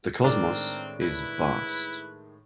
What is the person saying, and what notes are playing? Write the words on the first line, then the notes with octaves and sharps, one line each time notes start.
The cosmos is vast.
A2 D#3 G#3 C4 D4 A#4
E4 B4